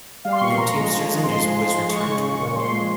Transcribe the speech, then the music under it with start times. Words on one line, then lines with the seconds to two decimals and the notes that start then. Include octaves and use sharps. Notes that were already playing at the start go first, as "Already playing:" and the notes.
Then teamsters and newsboys returned to work.
0.25 G3 F5
0.33 C6
0.41 A#2 C#6
0.50 C6
0.57 F3 A#5
0.74 G#3
0.90 F3
1.07 G#3
1.23 F3 C6
1.40 G#3
1.56 F3
1.74 G#3
1.89 G#3 C#6
2.06 C#3
2.24 G#3
2.39 A#2
2.56 F3 C6
2.72 G#3